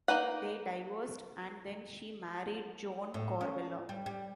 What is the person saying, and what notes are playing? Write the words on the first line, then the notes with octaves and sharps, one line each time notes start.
They divorced and then she married Joan Corbella.
A#3 D#4 B4 F#5
A2
C#4
G3
G3